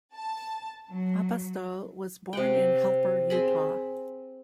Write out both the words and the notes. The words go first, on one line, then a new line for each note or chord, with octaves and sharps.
Apostol was born in Helper, Utah.
A5
F#3
C3 F#5 G5
C4 G#4 B5